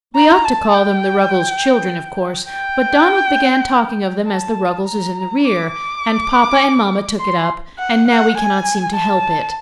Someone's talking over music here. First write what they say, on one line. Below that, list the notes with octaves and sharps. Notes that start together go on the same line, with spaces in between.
We ought to call them the Ruggles children, of course; but Donald began talking of them as the 'Ruggleses in the rear,' and Papa and Mama took it up, and now we cannot seem to help it.
A#5
A5
G5
G5
A5
A#5
D6
D6
C6
F#5
F#5
G#5
A5